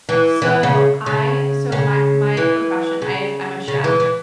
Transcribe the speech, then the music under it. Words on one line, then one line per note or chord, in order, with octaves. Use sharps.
So I so my my profession, I I'm a chef.
E3
E3
C#3
C#3
C#3
E3
C#3
C#3
E3
E3